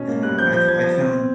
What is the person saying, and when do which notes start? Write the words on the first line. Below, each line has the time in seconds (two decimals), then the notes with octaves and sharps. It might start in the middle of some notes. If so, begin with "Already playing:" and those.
and, uh, I've I've found,
Already playing: B2 C#4
0.09 A#3
0.23 G3 F#6
0.38 F3 G6
0.53 F3 G6
0.68 F3 G#6
0.84 F3
0.98 C4